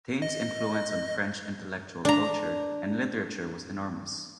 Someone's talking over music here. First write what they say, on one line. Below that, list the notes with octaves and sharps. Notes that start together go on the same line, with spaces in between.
Taine's influence on French intellectual culture and literature was enormous.
D#5
D4 A#5